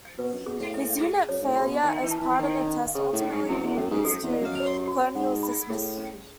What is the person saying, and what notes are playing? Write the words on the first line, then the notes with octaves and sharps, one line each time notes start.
His unit's failure as part of the test ultimately leads to the colonel's dismissal.
B2 B4
F#2
B2 G#4
A2
E5
G#4
F#2 C#5
G#2
A2
C#3 F#4
B2
D#3 E5
E3
A5
E3
D#3 E4
C#4
C#3 G#4
A2
C#4
G#2
F#2 E4
E2
F#2 C#4
G#2
F#2 A4
E2
D#5
F#2
C#5
F#4
G#2 F#5
B5
A2 G#4
C#4